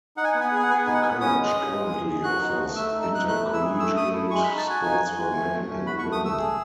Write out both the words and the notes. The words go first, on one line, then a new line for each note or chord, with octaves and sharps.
The college currently offers intercollegiate sports for men and women.
D#4 F#5
G#5
B3 F#5
G#5
F#5
G#4 G#5
F#5
B3 G#5
F#5
D#4 G#5
F#5
B3 G#5
F#5
C#4 D#6
G#3
D#6
C#4
G#3
G#4
G#4
F#4 F#6
D#4
A3
A3 E6
E6
D#4
E6
D#4 F#6
A3 F#6
E4
E6
G#4
A3 E6
A3 D#6
E4
G#3 C#6
B5
D#4
A5
F#4 G#5
D#4 G#5
F#4
G#3
A3
A3
C#4
F#4 B5
A3 C#6
D#6
A3 E6
G#4